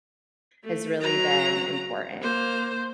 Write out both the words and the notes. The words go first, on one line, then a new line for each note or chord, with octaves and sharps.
has really been important.
A3
F#3 A#5
A#3 C5